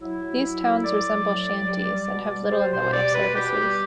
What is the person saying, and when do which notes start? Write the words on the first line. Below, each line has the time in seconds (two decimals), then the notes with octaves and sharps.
These towns resemble shanties, and have little in the way of services.
0.01 F#3 E4
0.22 F#3
0.43 F#3
0.64 A2
0.84 F#3 D5
1.05 F#3
1.27 A2
1.47 F#3
1.68 G3
1.89 G3
2.10 B2
2.30 G3
2.51 G3 C5
2.72 B2 C5
2.93 G3 D5
3.14 B2 B4
3.35 B2 G4
3.56 G3